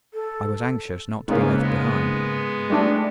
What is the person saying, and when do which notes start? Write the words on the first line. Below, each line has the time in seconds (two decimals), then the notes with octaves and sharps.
I was anxious not to be left behind.
0.14 A4
1.28 E2 G#2 C#3 A#3 B3
1.61 G#3 B3
2.70 G3 A3 D4